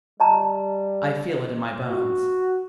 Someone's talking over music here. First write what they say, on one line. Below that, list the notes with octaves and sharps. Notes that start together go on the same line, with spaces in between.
"I feel it in my bones."
G3 D#5 A5 A#5
F#4